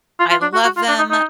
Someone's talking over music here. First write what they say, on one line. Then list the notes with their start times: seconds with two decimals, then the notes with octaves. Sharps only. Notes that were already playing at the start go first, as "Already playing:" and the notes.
I love them,
0.20 F4
0.31 F4
0.42 D4
0.54 F#4
0.64 F#4
0.77 F4
0.88 D4
0.99 D#4
1.10 D#4